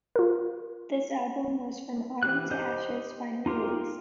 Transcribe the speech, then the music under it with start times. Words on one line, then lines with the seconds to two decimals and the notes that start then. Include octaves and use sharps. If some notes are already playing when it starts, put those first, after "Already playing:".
This album was From Autumn to Ashes' final release.
0.16 F4 A#4
2.23 E3 G4 F#6
2.51 G4 C5 D#5 G6
3.46 D#4 F4 G4 A#4